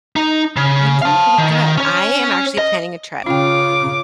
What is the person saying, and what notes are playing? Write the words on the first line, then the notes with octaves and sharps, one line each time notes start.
I'm doing pretty good. I am actually planning a trip,
D#4
C#3
F5 A5
D#3
C#4 C#5
D#5
C#3 C#4 F4 G5 D6